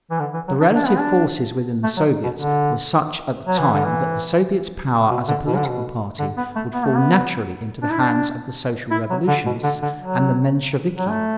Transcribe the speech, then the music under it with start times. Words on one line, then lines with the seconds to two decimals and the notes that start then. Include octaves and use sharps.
The relative forces within the Soviets were such at the time that the Soviet's power as a political party would fall naturally into the hands of the Social-Revolutionists and the Mensheviki.
0.11 E3
0.20 D3
0.34 E3
0.48 F#3
0.61 D4
0.75 D4
0.87 B3
0.99 D4
1.84 A3
1.97 F#3
2.24 B2
2.38 D3
3.47 F#3
3.59 E3
3.72 D3
3.84 E3
5.11 B2
5.28 D3
5.47 B2
5.57 D3
5.68 B2
6.19 D3
6.37 B3
6.56 A3
6.73 B3
6.85 A3
6.97 B3
7.83 D4
7.91 E4
7.99 D4
8.91 E4
9.10 F#3
9.28 D3
9.46 B2
9.64 D3
9.83 D3
10.01 F#3
10.98 F#3
11.10 A3